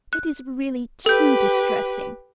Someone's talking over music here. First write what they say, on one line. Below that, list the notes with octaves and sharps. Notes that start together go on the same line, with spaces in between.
It is really too distressing.
F#6
G4 A4 B4 G6